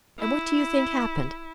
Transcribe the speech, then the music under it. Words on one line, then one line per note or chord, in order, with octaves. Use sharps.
And what do you think happened?
E4